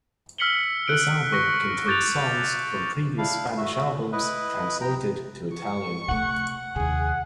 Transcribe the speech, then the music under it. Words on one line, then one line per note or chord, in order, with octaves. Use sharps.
This album contains songs from previous Spanish albums translated to Italian.
E6 F6 B6 C#7 F#7 G7
F#6 D7
C#6 E6 A#6 C#7 G7
C#6 D6 G6 A6 D7 F7
D4 E4 F5
A3 F#4 E5
E4 B4 D#5
G5 A#5
C#6
C3 A3 F#5
D#2 C3 G#4